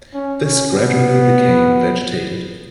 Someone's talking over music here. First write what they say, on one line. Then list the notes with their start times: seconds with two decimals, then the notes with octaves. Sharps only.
This gradually became vegetated.
0.14 C#4
0.43 C#4
0.73 B3